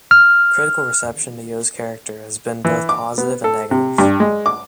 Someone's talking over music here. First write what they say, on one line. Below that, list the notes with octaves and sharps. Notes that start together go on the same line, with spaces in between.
Critical reception to Yoh's character has been both positive and negative.
F6
E3
D6
B3
A4
C3
G2
G#3
D6